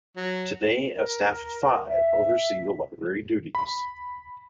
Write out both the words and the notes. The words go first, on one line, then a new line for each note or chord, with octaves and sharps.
Today a staff of five oversee the library duties.
F#3
A#4
E5
B5